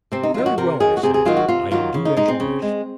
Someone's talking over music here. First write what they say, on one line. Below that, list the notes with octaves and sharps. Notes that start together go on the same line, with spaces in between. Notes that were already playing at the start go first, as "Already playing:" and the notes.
"Very well," I said; "I'll do as you wish."
C3 C4
D#4
D#3 F#3 F4
F#4
C3 A#4
D#3 F#3 G#4
F#4
C3 G#4
G#4
D#3 F#3 F4
F#4
C3 F4
D#3 F#3 F4
C#3
D#4
G#3 D#4
C4
C#3
G#3